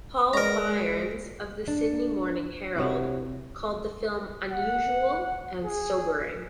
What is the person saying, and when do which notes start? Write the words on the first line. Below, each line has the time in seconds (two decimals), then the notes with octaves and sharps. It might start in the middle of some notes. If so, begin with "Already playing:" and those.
Paul Byrnes of "The Sydney Morning Herald" called the film "unusual" and "sobering".
0.33 G#3 A#4 B4 D5 D#5 A#5
1.68 D4
2.77 C3 E4 F#4 C#5
4.52 F#5
5.64 G#4